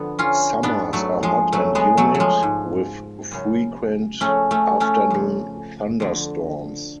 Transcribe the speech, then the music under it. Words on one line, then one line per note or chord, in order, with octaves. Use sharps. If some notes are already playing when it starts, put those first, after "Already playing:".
Summers are hot and humid with frequent afternoon thunderstorms.
Already playing: F2 D3 B3
C#4 F4
G#2 B3 D4
F#3 A3
F3 G#3
F#2 C#3 F#3 A3
G#3 B3
F#3 A3
F#3
F3 G#3
G#2
F#2 C#3
F2 C#3 A3 C#4
A3 C#4
A3 C#4
F2 C#3
F2 D3